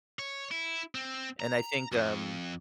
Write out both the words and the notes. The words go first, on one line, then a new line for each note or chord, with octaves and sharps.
And I think, um
C#5
E4
C4
A#5
F2